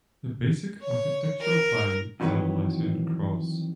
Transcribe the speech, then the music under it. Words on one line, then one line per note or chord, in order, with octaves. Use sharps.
The basic architectural plan is a Latin cross.
C#5
A#4
F2 D#3 E3 F#3 B4